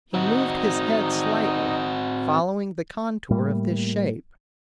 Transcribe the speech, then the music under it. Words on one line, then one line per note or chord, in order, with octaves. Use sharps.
He moved his head slightly, following the contour of this shape.
C4 D#4 F#4
A2 G3 A#3